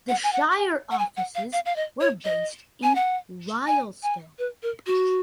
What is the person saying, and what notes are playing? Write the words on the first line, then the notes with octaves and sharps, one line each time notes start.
The shire offices were based in Rylstone.
F#5
G#5
F#5
G#5
F#5
G#5
F#5
F5
F5
F5
D#5
C#5
D#5
G#5
F#5
G#5
G#5
B4
A#4
F#4